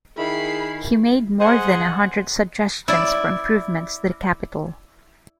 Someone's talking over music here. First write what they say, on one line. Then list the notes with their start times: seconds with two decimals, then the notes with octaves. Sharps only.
He made more than a hundred suggestions for improvements to the capital.
0.17 D#3 E4 G#4 B5 C7
1.40 G#4 C5 D#5 F#5
2.88 E4 D5